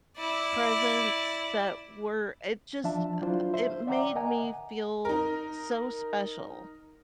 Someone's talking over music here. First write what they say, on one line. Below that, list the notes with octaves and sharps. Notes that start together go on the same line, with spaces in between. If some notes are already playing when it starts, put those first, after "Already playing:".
presents that were it just uh, it made me feel so special,
E4 D5
F3 D4 E5 A5
F#3 D4 E4 F4 C5
C5 E5
D5 E5 F#5 G5 A#5 D6
A#4 D#5 F#5 G#5 A#5
D#4 A#4